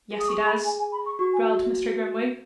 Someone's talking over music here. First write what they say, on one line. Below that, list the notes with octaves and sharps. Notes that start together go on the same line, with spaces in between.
'Yes, he does,' growled Mr. Grimwig.
G#4
D#6
C#6
C#6
B5
G#5
G#5
B5
C#6
F#4 C#6
G#5